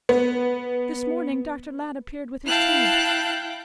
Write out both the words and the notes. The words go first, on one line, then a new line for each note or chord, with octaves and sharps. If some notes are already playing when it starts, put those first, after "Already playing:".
This morning Dr. Ladd appeared with his tube.
B3
E4 F5 G5 A5 F#6